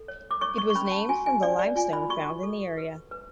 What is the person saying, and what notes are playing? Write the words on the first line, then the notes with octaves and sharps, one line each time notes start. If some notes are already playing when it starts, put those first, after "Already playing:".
It was named from the limestone found in the area.
Already playing: A4
C#5
D6
C#5 C#6
C#6
C#6
C#4 B5
A5
F#4 G#5
G#5
C#4 D5
D5
F4 G#5
B5
F#4 C#6
A4
B4
B4